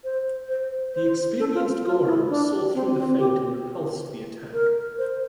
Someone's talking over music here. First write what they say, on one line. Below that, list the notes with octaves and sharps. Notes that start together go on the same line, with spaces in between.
The experienced Goreham saw through the feint and repulsed the attack.
C5
C5
C5
A4
F4
F4
E4
D4
C4
C4
G4
A#4
C5